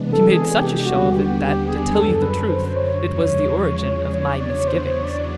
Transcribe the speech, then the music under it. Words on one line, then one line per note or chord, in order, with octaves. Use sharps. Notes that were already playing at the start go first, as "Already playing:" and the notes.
"She made such a show of it, that, to tell you the truth, it was the origin of my misgivings."
Already playing: C3 E3 G#3 B3 D4
A4
G#4
G4
D#2 D3 G3 B3 D4 F#4
G4
G4
G#4
F#2 D3 F#3 A4
B4
C5
C#5
E2 C#3 F3 G#3
E2 C#3 F#3 B3 D4 C#5
D5
C#5
C5
C#5
D5